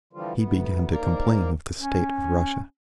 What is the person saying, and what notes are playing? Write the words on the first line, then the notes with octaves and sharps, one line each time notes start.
He began to complain of the state of Russia.
D3 E3 F3 G3 F4
D2 B3
G#2 A#3 A#4 D5 A#5
C#4